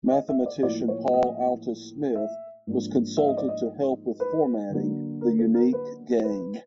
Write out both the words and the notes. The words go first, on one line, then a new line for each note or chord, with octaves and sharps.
Mathematician Paul Althaus Smith was consulted to help with formatting the unique game.
D#5
E5
D5
A2 F3 A#3 D5
C#5
D#5
E5
G#2 F3 A#3 D4
E5
D#5
D5
D#5
B4
D3 F#3 A#3 D4
A#4
A4
A#4
B4
B4